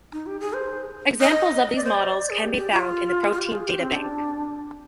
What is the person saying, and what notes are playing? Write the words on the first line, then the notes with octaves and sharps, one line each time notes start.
Examples of these models can be found in the Protein Data Bank.
D#4
G4
G#4
C5
D#5
D5
C5
D5
G#4
G4
G4
F4
F4
G4
G#4
G4
C4
D4